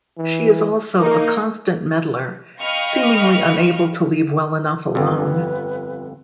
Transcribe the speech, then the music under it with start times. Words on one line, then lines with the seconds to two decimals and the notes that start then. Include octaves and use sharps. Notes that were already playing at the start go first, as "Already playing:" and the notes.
She is also a constant meddler, seemingly unable to leave well enough alone.
0.17 E3
0.99 A#3 D#4 A#4
2.61 D#5 F5 G5 B5 C#6 F6
4.95 G1 F2 B4